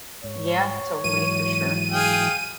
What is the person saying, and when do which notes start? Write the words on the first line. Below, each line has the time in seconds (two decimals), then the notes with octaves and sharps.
Yeah, totally, for sure.
0.24 G#2 C#5
1.04 G#2 E3 F#3 D#7
1.91 G#4 F5 G5